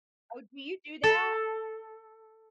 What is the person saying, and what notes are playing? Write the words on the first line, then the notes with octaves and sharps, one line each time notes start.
Oh, do you do that?
A4